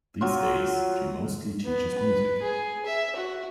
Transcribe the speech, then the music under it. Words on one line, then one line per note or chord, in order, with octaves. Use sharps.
These days, she mostly teaches music.
F#3 F4
B3
B4
G#4
E5
F#4